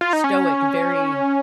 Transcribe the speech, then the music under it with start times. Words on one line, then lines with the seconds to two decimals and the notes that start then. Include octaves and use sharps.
stoic, very,
0.01 F4
0.13 D#4
0.24 C#4